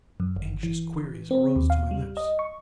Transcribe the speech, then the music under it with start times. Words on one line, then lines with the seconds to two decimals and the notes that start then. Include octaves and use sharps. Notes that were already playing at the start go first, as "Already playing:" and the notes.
Anxious queries arose to my lips.
0.20 F#2
0.36 G1
0.63 E3
1.31 C4
1.56 D#2
1.70 F5
1.91 G3
2.17 D#5
2.39 C#6